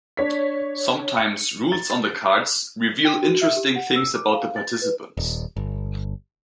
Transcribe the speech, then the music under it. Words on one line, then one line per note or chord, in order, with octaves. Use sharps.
Sometimes, rules on the cards "reveal interesting things about the participants".
D4 C#5 B6
C#7
A6
G5
F#4
E5
G4
F#5
E6
D6
F5
A6
B4
D#1
G1